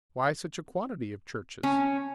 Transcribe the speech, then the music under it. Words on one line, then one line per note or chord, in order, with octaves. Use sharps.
"Why such a quantity of churches?"
C#4